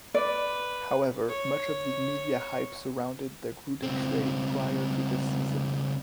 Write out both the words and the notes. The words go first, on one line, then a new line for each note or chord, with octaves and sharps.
However, much of the media hype surrounded the Gruden trade prior to the season.
B4 D5
C#5
C#2 C4